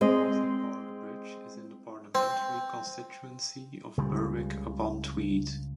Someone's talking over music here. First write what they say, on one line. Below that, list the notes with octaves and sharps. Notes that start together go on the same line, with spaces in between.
Causey Park Bridge is in the parliamentary constituency of Berwick-upon-Tweed.
G#3 C4 D#5
C4
C#2 C#3 G3